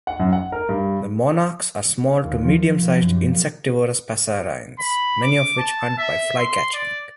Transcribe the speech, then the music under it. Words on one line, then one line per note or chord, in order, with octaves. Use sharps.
The monarchs are small to medium-sized insectivorous passerines, many of which hunt by flycatching.
F#5
F#2
F#5
A#4
G2
F5
D#2
F3
B2
F#2
G4
A#3
B5
D6
A5
E5
C6
D5